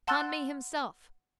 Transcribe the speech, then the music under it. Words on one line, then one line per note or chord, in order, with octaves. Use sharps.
Conmee himself!
F#5 A5 C6 E6 F#6 A6